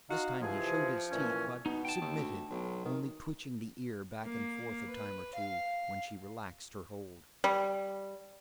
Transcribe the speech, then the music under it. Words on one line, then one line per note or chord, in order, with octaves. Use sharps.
This time he showed his teeth but submitted, only twitching the ear back and forth a time or two when she relaxed her hold.
D#4 F#4 F5
C3 E3 F3 G#4
A#2 E3 C#4
B2 D#4
G5 A5
D#2
D2
B1
D#3
A#3
B4
F5
G3